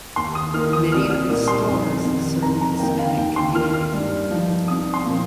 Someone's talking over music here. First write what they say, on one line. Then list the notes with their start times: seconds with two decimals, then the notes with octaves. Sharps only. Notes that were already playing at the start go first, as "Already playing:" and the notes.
Many of its stores served the Hispanic community.
0.16 D#2 C6
0.35 D#6
0.54 D#3 A#3 D#4 F6
0.73 D#6
0.92 C2 F6
1.10 F6
1.29 A#2 G3 A#3 D#4 D#6
1.48 C6
1.67 F2
2.04 C3 D#3
2.42 F2 A#5
2.61 A#5
2.80 D#3 A#3 D#4 G5
2.99 F5
3.17 D#2 G5
3.36 C6
3.55 D#3 A#3 F6
3.74 F6
3.93 G2
4.30 F3 D#4
4.68 C2 D#6
4.94 C6
5.05 A#2 F3 C4